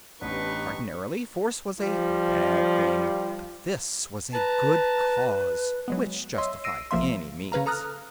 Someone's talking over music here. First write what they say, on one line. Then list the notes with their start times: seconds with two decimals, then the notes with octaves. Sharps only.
Ordinarily, force was a Bad Thing, but this was a Good Cause, which justified any means.
0.21 A1 B3 D4 D#4 G4 B4 C#6
1.83 F3 G3
4.34 B4 A5 A#5
5.88 F#3 G#3 B3
6.38 C#5 D#5 E5 C6 E6
6.64 E6 A#6 C7 D7 D#7
6.91 A1 F3 A#3 E5 C6
7.52 C#3 C#4 B4 F5 A#5
7.66 A4 A#5 D#6 F6 F#6